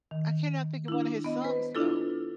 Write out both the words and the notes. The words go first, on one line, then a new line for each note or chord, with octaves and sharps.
I cannot think of one of his songs though.
D#3
D4 E4
B3 D#5
B4 C5
D4 E4 F4 A4